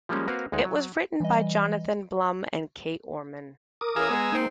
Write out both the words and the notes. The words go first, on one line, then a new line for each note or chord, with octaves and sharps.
It was written by Jonathan Blum and Kate Orman.
F3 G3 G#3 A#3 C#4
A#3 C4 F#4 A#4 B4 F5
D2 G#3 D#4
F#3
E3 G3 D#5
A#4 D6 D#6
E3 C#4 G#4 F5 G#5 A#5 E6
G#3 B3 G#4
G#3 A#3 C4 D#4